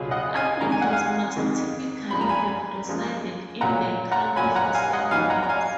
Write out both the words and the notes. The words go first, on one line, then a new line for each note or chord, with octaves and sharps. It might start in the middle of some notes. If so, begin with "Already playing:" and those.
Applicants must typically have resided in the country for seven years.
Already playing: C#2 B2 F#3 F4 G#4
D#5 F#5
F5 G#5
F2 D#3 G#3 A#5
G#5
F#5
F5 G#5
F2 D#3 G#3
F#2 F3 G#3 B5
A#5
G#5 B5
F#2 F3 G#3
A#2 F#3 C#4 F#5 A#5
F#5 A#5
A#2 F#3 C#4 G#5 B5
F#5 A#5
F5 G#5
D#5 F#5
G#2 F#3 B3 D#4 F5 G#5
F#5 A#5
A#5
F5 G#5